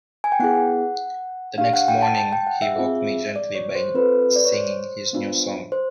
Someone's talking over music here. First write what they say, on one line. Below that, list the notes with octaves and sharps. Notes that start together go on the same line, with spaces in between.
The next morning he woke me gently by singing his new song.
G#5
G5
B3 E4 G#4 F#5
D4 G4 F5
F#5
G5
A5
A5
G5
F#5
E5
C4 F4 G#4
D5
C#5
C5
C4 F4 A4 B4
D5
C#5
C5
B3 D4 F4
C5